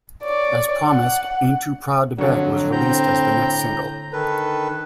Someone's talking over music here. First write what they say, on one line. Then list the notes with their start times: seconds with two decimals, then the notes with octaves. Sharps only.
As promised, "Ain't Too Proud To Beg" was released as the next single.
0.23 C#5 D5
0.85 F#5
2.18 F2 D3 F#3 C#5
2.72 A2 C4 A#5 G6
4.13 D#3 A4 B4